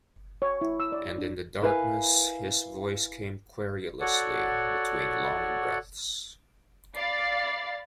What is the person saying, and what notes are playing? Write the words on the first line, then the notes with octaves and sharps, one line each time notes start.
And in the darkness his voice came querulously between long breaths.
C#5
E4
E6
D5
D4
E4 A#4 B4 F5 G#5
F#4 A4 C#5 D5 F#5
D5 F5 B5 A6 C7